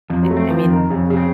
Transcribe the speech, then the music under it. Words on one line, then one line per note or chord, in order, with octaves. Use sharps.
I I mean,
F2 F3
F#3
A3
C4
F3
F2
D#3
F2 C#3
C#3
C4